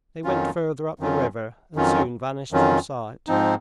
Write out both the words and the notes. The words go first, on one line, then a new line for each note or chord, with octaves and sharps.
They went further up the river and soon vanished from sight.
F2 D#3 F#3 C#4 F4
F2 D#3 F#3 C#4 F4
F2 D#3 F#3 C#4 F4
F2 D#3 F#3 C#4 F4
G#2 F3 C4 D#4